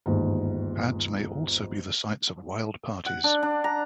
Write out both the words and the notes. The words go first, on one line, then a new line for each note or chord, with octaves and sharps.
Pads may also be the sites of wild parties.
G1 D#2 G#2
F#5
D4
D4
A#5